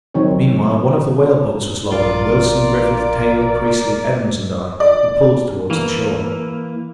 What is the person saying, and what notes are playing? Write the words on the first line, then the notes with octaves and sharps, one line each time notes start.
Meanwhile, one of the whale boats was lowered and Wilson, Griffith Taylor, Priestley, Evans, and I were pulled towards the shore.
D#3 F#3 C4 C#5
A#1 F4 A#4 D5
D5
E3 A#3